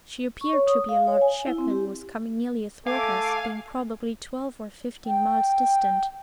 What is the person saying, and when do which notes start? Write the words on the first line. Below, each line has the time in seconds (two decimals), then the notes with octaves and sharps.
She appeared to be a large ship, and was coming nearly athwart us, being probably twelve or fifteen miles distant.
0.41 C#6
0.53 C#5
0.67 D#6
0.89 F5
1.07 C#5
1.22 G#5
1.47 E4
1.58 C4
1.70 G4
2.87 A3 A4 F5 G#5 D6
5.06 G5